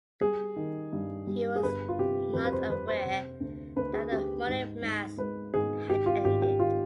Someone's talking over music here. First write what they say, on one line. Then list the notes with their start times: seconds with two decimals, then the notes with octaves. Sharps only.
He was not aware that the morning Mass had ended.
0.21 G3 G#4
0.56 D#3
0.93 G2
1.27 G3
1.56 G#4
1.63 G1 B4
1.88 F4
1.98 C3 G4
2.33 F2 B4
2.45 B4
2.52 C5
2.69 F2 B4
2.88 C5
3.05 C3
3.40 D2
3.76 D2 B4
3.93 G#4
4.12 D2 G4
4.47 G#2
4.82 G#2
5.17 G#3 B4
5.54 G#2 G#4
5.88 G#1 G4
6.06 F4
6.24 G#1 G4
6.42 G4
6.60 D#3 F4